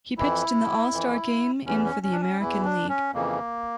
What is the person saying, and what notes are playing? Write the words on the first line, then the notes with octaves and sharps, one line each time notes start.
He pitched in the All-Star Game in for the American League.
F2 E3 E4
F2 E3
E2 E3 C#4
C#4
C#4
D4
C#4
E2 E3 E4
D4
C#4
F2 C#3 E3 A#3